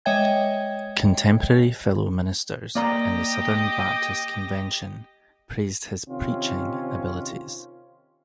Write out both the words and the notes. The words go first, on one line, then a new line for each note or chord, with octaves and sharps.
Contemporary fellow ministers in the Southern Baptist Convention praised his preaching abilities.
G#3 C#5 D#5 E5 G5 G#6
A#3 G4 D5 D#5 A#5
C3 D#3 C4 C#4 D#4 F4